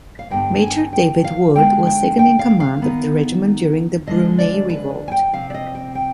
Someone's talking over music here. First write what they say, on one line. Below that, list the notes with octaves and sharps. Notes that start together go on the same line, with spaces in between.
Major David Wood was second-in-command of the regiment during the Brunei Revolt.
F5
G2 D3 G3 B3 G5
G#5
G5
F5
D3 G#3 B3 D#4 G5
G5
G5
F5
F5
D#3 B3 D#4
D3 F3 G#3 D#5
D5
B4
G#5
G5
C3 F3 C4 F5
D5
D#5
G5
G5